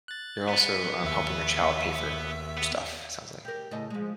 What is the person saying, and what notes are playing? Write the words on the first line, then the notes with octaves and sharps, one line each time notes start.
you're also, um, helping your child pay for stuff, it sounds like.
F#6 A6
B3
D#2 E5 B6
B3
G4 A#4
A2 C#3 D#5
F3 G#3